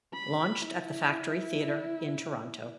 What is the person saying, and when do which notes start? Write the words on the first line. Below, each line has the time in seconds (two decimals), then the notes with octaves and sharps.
Launched at the Factory Theatre in Toronto.
0.14 B5
0.65 E4